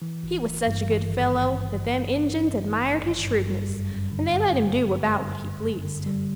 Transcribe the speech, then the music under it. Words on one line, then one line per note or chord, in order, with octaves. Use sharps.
He was such a good fellow that them Injuns admired his shrewdness, and they let him do about what he pleased.
E3
G#1
G#1
G2
E3
G#1
G#1
G2
E3
G#1
G#1
G2
E3
G#1
G#1
G2
G3
F#2
F#2
D3
G3
F#2
F#2
D3
G3
F#2
F#2
D3
G3